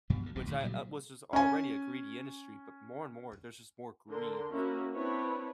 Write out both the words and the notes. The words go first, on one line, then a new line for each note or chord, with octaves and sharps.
Which I, uh, was just already a greedy industry, but more and more there's just more greed,
G2 B2 F3 G3
D2 D3
D#1 B1 B2
D2 A#2 D3 D#3
A#2 C#3 F#3 G3
C#4 G#5
D3 D4 A#4 C6
A#3 C#4 E4 F#4
C4 D4 E4 B4 C#5